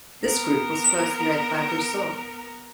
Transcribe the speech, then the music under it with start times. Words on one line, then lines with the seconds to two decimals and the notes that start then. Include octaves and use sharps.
This group was first led by Brissot.
0.24 B3 A#4